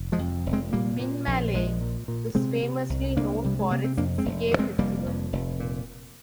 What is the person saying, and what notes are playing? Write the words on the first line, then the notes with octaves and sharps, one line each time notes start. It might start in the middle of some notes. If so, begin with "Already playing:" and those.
Binmaley, is famously known for its "Sigay Festival".
Already playing: F1
F3 G#3
F2
F1
G#3 C4
A#2 G3 A#3
A#2
A#1
A#1 F3 G#3
A#2
A#2
C3 G#3 C4
C3
C2
C2 A#3 D4
C3 G3
G#3
C3 A#3
C4
F2 A#3 D4
G#3 C4
F1
D3
G#3 C4
F1 G3 A#3
F2
F1
A#2